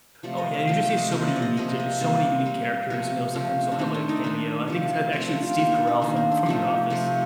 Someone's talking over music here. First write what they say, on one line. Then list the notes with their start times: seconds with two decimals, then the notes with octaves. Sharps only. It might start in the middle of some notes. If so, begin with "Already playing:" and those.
Oh, yeah, you just see so many unique t so many unique characters, you know, sometimes you'll have like a cameo. I think it's actually Steve Carell from from the Office.
0.23 C3 F3 A3 D5
0.38 D#5
0.53 F5
0.67 C3 F3 A3 G5
0.83 G5
0.97 D#5
1.12 C3 F3 A#3 D#5
1.22 D5
1.28 D#5
1.36 D5
1.42 D#5
1.57 C3 F3 A#3 D#5
1.80 D#5
2.01 C3 G3 A#3 D5
2.45 C3 G3 A#3
2.90 C3 F3 A3 A#4
3.34 C3 F3 A3
3.72 D4
3.79 D#3 A3 C4
3.94 D4
4.09 D#4
4.24 D#3 A3 D4
4.68 C3 F3 A3
5.13 C3 F3 A3 C4
5.28 D4
5.43 F4
5.58 D#3 A#3 G4
5.72 D4
5.87 D#4
6.02 D#3 A#3 D4
6.17 C4
6.32 D4
6.46 C3 F3 A3 D#4
6.90 C3 F3 A3